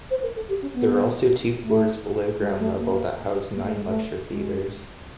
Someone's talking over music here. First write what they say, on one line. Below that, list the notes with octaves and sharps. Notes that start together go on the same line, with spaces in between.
There are also two floors below ground level that house nine lecture theatres.
C5
A#4
A4
G4
C#4
B3
A3
G#3
A3
A#3
A#3
A3
G#3
A3
G#3